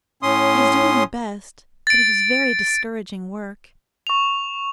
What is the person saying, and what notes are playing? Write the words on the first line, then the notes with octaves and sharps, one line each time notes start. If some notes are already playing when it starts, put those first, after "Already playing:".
She is doing her best, but it is very discouraging work.
A2 C#4 C6 D#6
A6 D7
C#6 F7